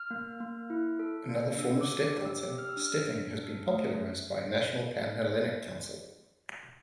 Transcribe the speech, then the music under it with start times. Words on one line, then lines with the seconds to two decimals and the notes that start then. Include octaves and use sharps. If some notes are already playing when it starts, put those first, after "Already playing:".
Another form of step dancing, Stepping, has been popularized by National Pan-Hellenic Council.
Already playing: F6
0.11 A#3
0.40 A#3
0.70 E4
0.99 A4
1.29 A#3
1.58 D4 E6
1.81 D6
1.88 D4
2.03 D6
2.18 G4
2.25 E6
2.47 G4
2.58 F6
2.69 E6
2.77 D4 F6
3.07 D4
3.37 A4
3.66 A3